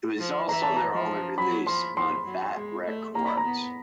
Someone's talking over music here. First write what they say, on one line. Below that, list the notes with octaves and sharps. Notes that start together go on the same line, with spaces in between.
It was also their only release on Fat Wreck Chords.
F3
E3 A#5
A5
A#5
F3
F#3 B5
F3 C6
F3 C6
F#3
G#3
A3
A#3 A#5
B5
A#5
B3